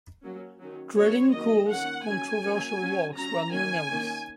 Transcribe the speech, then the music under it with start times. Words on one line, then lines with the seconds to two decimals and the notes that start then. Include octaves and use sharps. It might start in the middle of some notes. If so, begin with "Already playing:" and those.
Drelincourt's controversial works were numerous.
0.24 F#3 A#3 C#4
0.61 D#3 F#3 C#4
0.96 F#3 A#3 C#4 C#5
1.33 D#3 F#3 A#3 D#5
1.70 D#3 A#3 C#4 F#5
2.06 F#3 C#4 G#5
2.43 F#3 A#3 C#4
2.79 F#3 C#4
3.15 F#3 C#4 A#5
3.52 D#3 A#3 C#4 G#5
3.89 D#3 A#3 C#4